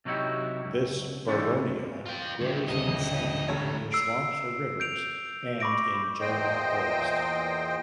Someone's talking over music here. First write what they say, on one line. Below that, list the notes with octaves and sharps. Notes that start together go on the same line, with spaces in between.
This boronia grows in sand near swamps or rivers and in jarrah forest.
C3 F#3 D#4 E4 F#4 G4
C#2 F#2
D3 E3 G3 A3 C#4 D4
F4 G5
G2 D3 E4
D#1 C#3 D#5
F2
F1 A4 C#5
E6 C7 D7
G6 D7 F7
B5 C#6 D6 A#6 D7
E2 A#2 C5 D#5 G5